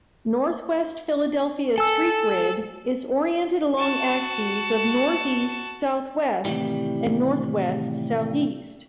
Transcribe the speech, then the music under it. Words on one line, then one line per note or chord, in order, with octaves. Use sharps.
Northwest Philadelphia's street grid is oriented along axes of northeast-southwest and northwest-southeast.
A4 G#5 E6
F#4 A5
A2 C3 D#3 E3 G3